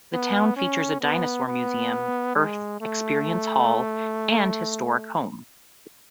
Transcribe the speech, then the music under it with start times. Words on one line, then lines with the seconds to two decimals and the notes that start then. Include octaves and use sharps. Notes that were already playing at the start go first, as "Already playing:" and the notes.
The town features a dinosaur museum, Earth Experience Hall, and historic home.
0.13 B3
0.57 C#4
1.01 B3
1.46 B3
2.36 G#3
2.81 A3